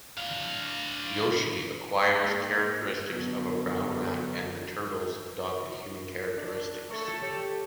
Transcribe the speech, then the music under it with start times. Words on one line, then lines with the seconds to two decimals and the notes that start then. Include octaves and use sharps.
Yoshi acquires characteristics of a brown rat and the turtles adopt human characteristics.
0.18 D4 F5
2.18 A#3
3.12 B2 D3 F#3
6.37 D4
6.90 A3 A4 C#5
7.22 G4